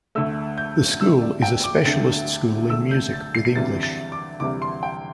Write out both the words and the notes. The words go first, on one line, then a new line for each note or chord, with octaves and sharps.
The school is a specialist school in Music with English.
D2 D3 A3 E6
G6
D2 D3 A3 E6
D5
G5
D6
D2 D3 A3 A6
D2 D3 A3 E6
G6
A6
C7
C7
D2 C3 E3 G3 A6
A6
D6
D2 C3 E3 G3 D6
C6
G5